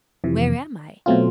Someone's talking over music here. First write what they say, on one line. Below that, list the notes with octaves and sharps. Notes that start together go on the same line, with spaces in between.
"Where am I?"
F2 C3 E3
B2 F#3 A3 C4 F4